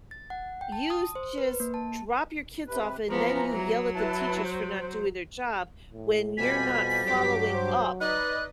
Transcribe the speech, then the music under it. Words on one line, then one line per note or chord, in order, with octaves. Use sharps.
you just drop your kids off, and then you yell at the teachers for not doing their job when you're not following up
A6
F#5
G5
A5
D#6
C5
B4
A#3
A5
C3 B4
E3 F3 B3 A#5
F#3
E4 B4 A5
C5
A2
F2 B2 G3 G#5 B5 B6
G2 F#3 G4 D6
C5
D#4 B4 D5 D#5 F#6